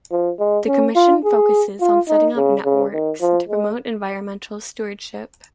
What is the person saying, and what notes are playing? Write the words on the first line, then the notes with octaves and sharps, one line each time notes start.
The commission focuses on setting up networks to promote environmental stewardship.
F3
G#3
C#4
F4
G#4
F4
D#4
C#3
C#3
D#3
F3
G#3